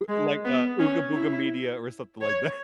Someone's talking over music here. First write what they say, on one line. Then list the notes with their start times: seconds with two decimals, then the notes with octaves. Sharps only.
Like, uh, Ooga Booga Media or something like that.
0.08 G#3
0.45 B3
0.79 C#4
1.15 E4
2.21 C#5